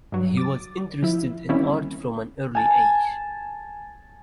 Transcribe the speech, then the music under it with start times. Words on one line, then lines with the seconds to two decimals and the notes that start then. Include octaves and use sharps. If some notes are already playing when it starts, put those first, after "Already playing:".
He was interested in art from an early age.
0.12 G2 F#3
0.37 D6 A6
1.03 F3 E4
1.49 D#3 G3 A#3 C4 C#4 E4
2.55 G#5 A5